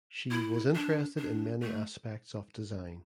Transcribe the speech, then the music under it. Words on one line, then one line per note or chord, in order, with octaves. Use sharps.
She was interested in many aspects of design.
E4
D4
D4
A3